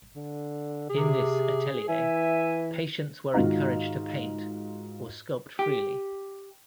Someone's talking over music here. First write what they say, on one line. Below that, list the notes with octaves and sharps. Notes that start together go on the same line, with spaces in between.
In this atelier, patients were encouraged to paint or sculpt freely.
D3
C3 G#4
E3 E5 G#5
G#2 D#3 F4 F#4 F5 A#5
G4